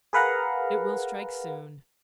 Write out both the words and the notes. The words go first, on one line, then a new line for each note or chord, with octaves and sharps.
It will strike soon.
G#4 A#4 B4 F5 F#5 A#5